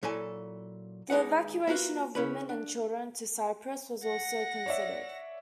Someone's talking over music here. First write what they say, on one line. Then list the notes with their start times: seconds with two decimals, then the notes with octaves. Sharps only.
The evacuation of women and children to Cyprus was also considered.
0.03 A#2 F#3 E4 A4 G#5
1.10 D#2 G#3 D#4 B4 F#5
1.67 A#3 F4 F#4 B4
2.15 C#3 C#4 E4 B4 B5
2.49 D4
4.03 F#5 A#6
4.66 C#5 D5 E5